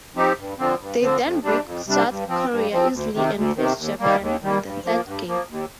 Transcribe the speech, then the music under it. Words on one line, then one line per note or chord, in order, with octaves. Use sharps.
They then beat South Korea easily and faced Japan in the third game.
F3 C4 D#4 G4
G2
D3 F3 C4
G2
D3 F3 C4
F2
C3 G3 D4
F2
C3 G3 D4
G2
F3 C4
G2
F3 C4
D2
C3 D#3
D2
C3 D#3
D#2
D#3 G3 A#3
D#2
D#3 G3 A#3
G2
F3 A#3
G2
F3 A#3
D#2